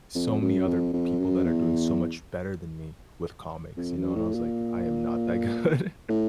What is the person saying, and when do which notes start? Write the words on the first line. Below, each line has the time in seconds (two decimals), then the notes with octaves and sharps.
so many other people that are doing so much better than me with comics," you know, and I was like, "I am not that good,"
0.15 F2
0.41 F#2
0.67 F2
0.93 F2
1.18 F#2
1.44 E2
3.77 F2
3.96 F#2
4.15 A2
4.35 A#2
6.09 A2